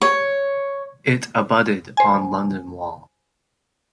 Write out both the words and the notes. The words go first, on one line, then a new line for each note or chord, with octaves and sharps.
It abutted on London Wall.
C#5
C5 G#5